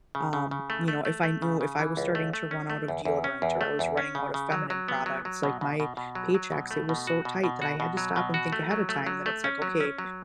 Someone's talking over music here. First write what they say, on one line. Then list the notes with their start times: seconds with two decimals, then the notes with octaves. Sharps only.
um, you know, if I knew if I was starting to run out of deodorant or I was running out of feminine products, like my paychecks, it was so tight that I had to stop and think ahead of time that it's like, "Okay,
0.15 C#3
0.33 C#3
0.51 C#3
0.70 A3
0.88 A3
1.05 A3
1.23 A3
1.42 C#3
1.61 C#3
1.79 E3
1.97 C#2
2.15 A3
2.33 A3
2.51 C#4
2.70 A3
2.88 E2
3.05 E2
3.24 C#4
3.42 E2
3.61 A3
3.79 E2
3.97 C#4
4.15 C#3
4.34 C#3
4.52 F#3
4.70 F#3
4.88 B3
5.06 F#3
5.25 F#3
5.43 B2
5.61 B2
5.80 B2
5.97 B2
6.15 F#3
6.34 F#3
6.52 B2
6.71 A3
6.89 B2
7.07 F#4
7.25 B2
7.44 B2
7.62 F#4
7.80 B2
7.97 F#3
8.16 B2
8.34 F#4
8.53 A3
8.71 F#3
8.89 A3
9.07 F#3
9.26 A3
9.44 C#4
9.62 F#3
9.80 C#4
9.98 F#3